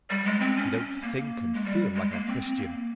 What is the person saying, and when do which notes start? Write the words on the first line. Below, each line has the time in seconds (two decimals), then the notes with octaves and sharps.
He don't think and feel like a Christian.
0.10 G3
0.25 G#3
0.40 C4
0.56 C#4
0.72 C#4
1.03 A#3
1.53 G#3
1.65 G3
1.95 G#3
2.11 A#3
2.27 C4
2.42 C4
2.57 A#3